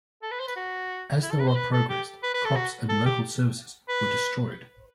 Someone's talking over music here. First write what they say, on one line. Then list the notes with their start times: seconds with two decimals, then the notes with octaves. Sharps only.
As the war progressed, crops and local services were destroyed.
0.23 A4
0.31 B4
0.40 C5
0.48 B4
0.56 F#4
1.22 E4
1.31 A4
1.39 B4
1.48 C5
1.56 B4
1.73 A4
1.89 G4
2.23 B4
2.34 B4
2.45 A4
2.56 F#4
2.89 A4
3.06 G4
3.89 B4